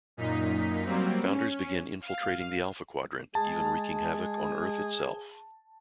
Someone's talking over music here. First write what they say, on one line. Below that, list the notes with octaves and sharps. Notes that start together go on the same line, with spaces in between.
Founders began infiltrating the Alpha Quadrant, even wreaking havoc on Earth itself.
F#2 A#2 D#4 B6
F#3 G3 A#3 C4
C#4
F5
G#3 G#4 A5